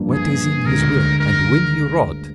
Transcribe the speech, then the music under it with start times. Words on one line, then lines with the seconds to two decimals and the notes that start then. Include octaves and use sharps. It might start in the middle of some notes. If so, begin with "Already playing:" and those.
What is in his will, and when he wrote?'
Already playing: G2 F3 A#3 D4
0.12 G#4
0.65 D2 D3 G#3 A#4
1.19 A#4